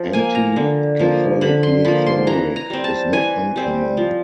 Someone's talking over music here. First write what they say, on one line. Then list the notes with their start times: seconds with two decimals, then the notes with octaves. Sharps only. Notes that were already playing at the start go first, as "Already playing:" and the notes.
Anti-Catholic rhetoric is not uncommon.
Already playing: F3
0.13 A#3 G#5
0.35 A#5
0.56 D3
0.99 F3 A#3
1.41 D3 B5
1.63 C6
1.85 F3 A#3 B5
2.06 C6
2.27 E3 A#5
2.56 A#5
2.70 G3 C4
2.84 A5
3.13 E3 G#5
3.56 G3 C4
3.97 F3